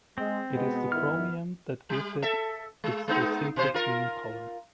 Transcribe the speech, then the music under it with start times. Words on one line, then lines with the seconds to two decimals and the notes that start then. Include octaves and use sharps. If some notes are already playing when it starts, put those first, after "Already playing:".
It is the chromium that gives it its distinctive green color.
0.18 G#3 C4
0.53 B2 G#3 B3
0.92 G2 D#3 E4 F6
1.90 G3
2.22 A4 E5
2.84 G#3
3.08 G#3 B3 D#4
3.56 B2 C5
3.74 F4 A#4